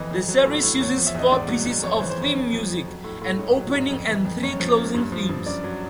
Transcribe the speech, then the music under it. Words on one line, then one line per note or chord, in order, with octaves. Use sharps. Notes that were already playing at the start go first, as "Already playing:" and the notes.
The series uses four pieces of theme music: an opening and three closing themes.
Already playing: F2 E3 D#5
F2
F#3
A2
A2
E2 C#5
F3
E5
E2 D#5
G#2 D5
F#3
G#2
F2 C#5
E3 C5
C5
F2 C#5
F2
F3
F2
F#3
A2
A2
G#2 C#5
F#3
G#2
F2
E3
F2
F#2 C#5
F3
F#2
G2
F3
G2
F#2 D5
F#3